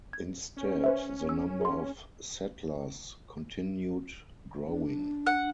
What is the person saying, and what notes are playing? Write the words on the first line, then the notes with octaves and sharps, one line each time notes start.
Instead, the number of settlers continued growing.
G#6
C#4
B4 C5 E5
E6
G#4 C6
D4
F#5